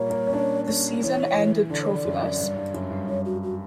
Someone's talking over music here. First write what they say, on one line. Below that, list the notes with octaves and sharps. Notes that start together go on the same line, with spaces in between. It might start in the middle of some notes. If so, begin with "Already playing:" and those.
The season ended trophyless.
Already playing: A#2 G3 A#3 C#5
A#3
C#4
D4
C#4
E3 C#5
E3
D3 D5
C#5
D5
F#2
F#2
G2
G2
F#2
G2
G2 C#5
F#4
F#4